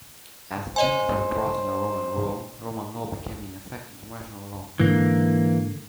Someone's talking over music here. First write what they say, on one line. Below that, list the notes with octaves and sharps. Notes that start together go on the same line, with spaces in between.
As "gentes" were brought under Roman rule, Roman law became in effect international law.
C5 C#5 D#5 G#5
G#2 D3 E3 A#3